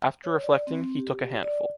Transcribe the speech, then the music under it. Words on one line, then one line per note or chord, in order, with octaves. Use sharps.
After reflecting, he took a handful.
C#5
D5
C4
G4
D5